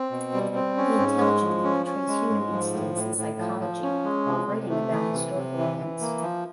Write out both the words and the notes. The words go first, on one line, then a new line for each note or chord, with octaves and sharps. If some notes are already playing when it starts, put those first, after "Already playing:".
He intelligently portrays human instincts and psychology while writing about historical events.
Already playing: C4
B2
G3
C4
C#4
G#2
G#3
F3
C#4
C#4
G#3
G#2
F3
A2
A2
A2
F3
F3
C#4
G#3
C3
C3
A3
E3
C3
C3
E3
E3
A#3
F3